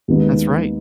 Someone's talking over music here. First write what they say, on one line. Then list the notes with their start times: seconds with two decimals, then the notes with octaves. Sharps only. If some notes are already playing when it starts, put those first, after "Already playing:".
That's right.
0.08 D#2 D#3 G#3 B3 D#4